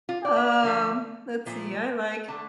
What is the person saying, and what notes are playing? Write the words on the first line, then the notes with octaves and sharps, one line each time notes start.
Um, let's see, I like
F4
D5
E5
D3 F3 A3
A#2 F3 A3
D3 A3 A5